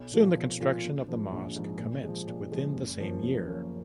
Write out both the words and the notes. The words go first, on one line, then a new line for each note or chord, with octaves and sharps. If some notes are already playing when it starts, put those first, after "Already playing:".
Soon the construction of the mosque commenced within the same year.
Already playing: B1
A#2 F3 A#3 F4
B1
A#2 F3 A#3 F4
A#1
G#2 F3
A#1
G#2 F3
A#2
F3 G#3
A#2
F3 G#3
F#1
F#2 F3 A#3 C#4
F#1
F#2 F3 A#3 C#4